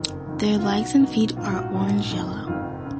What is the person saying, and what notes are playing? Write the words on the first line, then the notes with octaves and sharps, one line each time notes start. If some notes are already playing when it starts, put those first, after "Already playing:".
Their legs and feet are orange-yellow.
Already playing: F#1 F2 D#3
F#1 F2 D#3
F4
B1 B2 F#4
B1 B2
A#1 G#2 D#3 F4
F4
F#4
A#1 G#2 D#3
F#1 F2 D#3
F#1 F2 D#3 F4
C#3